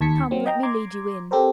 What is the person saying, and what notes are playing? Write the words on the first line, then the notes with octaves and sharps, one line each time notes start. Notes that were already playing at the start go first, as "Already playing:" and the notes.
Come, let me lead you in.
D#2 A5 G#6 B6 C#7
F#3 C4
D#5 G5 A#5
A#5 C6 D6 G#6
C4 G4 A4 A#4 C5